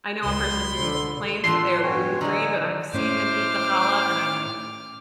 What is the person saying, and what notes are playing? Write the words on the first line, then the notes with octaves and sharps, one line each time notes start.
I know a person who claims that they are gluten free, but I have seen them eat the challah, and I'm like,
C#2 B5 C6
D3
E2 A2 D4 F4 A4 C6
G2 B2 C#4 F#4 C#5 G5
D3 G#3 D#4 D#5 G#5
A2 C#4 C5 D6 F6